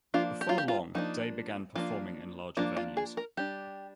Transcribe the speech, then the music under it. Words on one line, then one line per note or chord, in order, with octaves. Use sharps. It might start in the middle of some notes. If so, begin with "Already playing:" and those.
Before long, Day began performing in larger venues.
F3 A#3 D4 F4
G4
F4
G4
F4
F3 A#3 D4 D#4
F3 A#3 D4 F4
F3 A#3 D4 F4
F4
G#4
A#4
G3 D4 G4